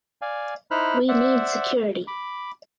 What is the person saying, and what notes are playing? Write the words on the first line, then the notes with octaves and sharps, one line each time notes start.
We need security.
D5 F5 G#5
D#4 E4 C5 B5 F6 F#6
C5 D5 E5 F#5
B5 D6